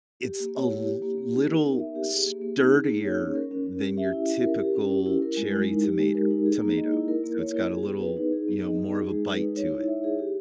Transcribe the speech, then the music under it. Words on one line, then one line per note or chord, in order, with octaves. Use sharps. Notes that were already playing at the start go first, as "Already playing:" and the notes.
It's a l little sturdier than your typical cherry tomater tomato. So it's got a little you know, more of a bite to it,
G4
A#3
C#5
E4
G4
A#3
A#3
D#4
A#4
B3
E5
G4
G#4
A#3
A#3
D#4
G#4
A#3
C#5
C#4
A#4
C#4
C#4
G4
E5
E4
E4
A#4
G4
C#4
C#4
E4
A#4
G#3
G#3
D#4
G4
G#3
A#4
D#4
G#4
A#3
D#5
E4
A#4
A#3
C#5
E4
G#4
B3
B4
D#4
G#4
B3
D#5
D#4
G#4
G#3
B4
D#4
C#5
E4
E5
G#4
G4